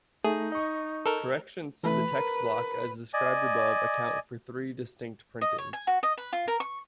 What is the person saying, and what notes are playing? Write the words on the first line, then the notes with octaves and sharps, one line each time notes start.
Corrections to the text block as described above account for three distinct printings.
A3 D#4 G#4
D#5 C#6
A4 A#4
E3 A3 B4
A#4 A#5
D5 D#5 G#5
D#5
C#5
G#5
F#4
D#5
B4
F4
A#4
C#6